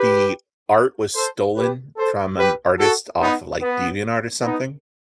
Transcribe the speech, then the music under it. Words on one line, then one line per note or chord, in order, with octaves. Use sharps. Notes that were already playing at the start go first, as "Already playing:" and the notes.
The art was stolen from an artist off of, like, DeviantArt or something.
Already playing: G4 B4
A4 C5
G4 B4
A4 C5
G4 B4
F#4 A4
B3 D#4
B3
B3 D#4